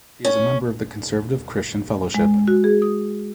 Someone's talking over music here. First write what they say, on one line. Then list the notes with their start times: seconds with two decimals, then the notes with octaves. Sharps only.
She is a member of the Conservative Christian Fellowship.
0.25 C#4
2.14 G#3
2.48 F#4
2.64 G#4
2.82 D#6